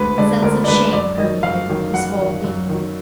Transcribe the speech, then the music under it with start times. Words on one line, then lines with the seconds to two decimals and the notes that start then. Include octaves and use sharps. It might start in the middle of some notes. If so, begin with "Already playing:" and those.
A sense of shame permeated his whole being.
Already playing: D2 D3 G#3 B4
0.17 D3 G#3 D5
0.42 D2 A#4
0.64 D5
0.68 D3 G#3 B4
0.93 F#2 D5
1.17 D#3 D#5
1.23 F#3
1.43 F#2 F5
1.68 D#3 F#3
1.94 F#2 F#5
2.19 D#3 F#3
2.44 F#2
2.69 D#3 F#3